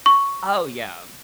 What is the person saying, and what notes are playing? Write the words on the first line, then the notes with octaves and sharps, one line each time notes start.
Oh yeah,
C#6